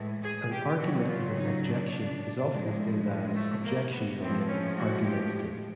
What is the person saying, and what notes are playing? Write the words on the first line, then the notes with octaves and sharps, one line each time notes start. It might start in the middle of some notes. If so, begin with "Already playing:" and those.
An "argumentative" objection is often stated as "Objection, your Honor, argumentative.".
Already playing: A2 E3 G#3
G#4
G4
C#3 F#3 F#4
F4
D#4
D4
A2 F3 G#3
A3
A#3
B3
A2 F3 G#3 C4
C#4
F#4
G4